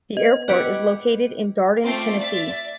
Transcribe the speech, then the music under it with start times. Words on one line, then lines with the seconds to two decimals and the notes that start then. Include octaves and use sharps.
The airport is located in Darden, Tennessee.
0.17 B3 D#5
0.48 E4 G4 F#5
1.84 A3 C4 F4 C6 D6
2.19 D5 E5 A6 B6